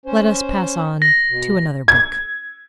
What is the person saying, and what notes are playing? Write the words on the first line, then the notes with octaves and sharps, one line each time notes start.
Let us pass on to another book.
C#4 C5
A#6
B2
G#6